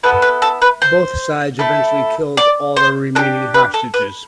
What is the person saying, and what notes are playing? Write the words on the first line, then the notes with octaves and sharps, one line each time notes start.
Both sides eventually killed all their remaining hostages.
B3 E4 A4 B4
B4
A4
B4
C5
A3 E4 A4
D5
C5
D4 G4 A4
B4
A4
B4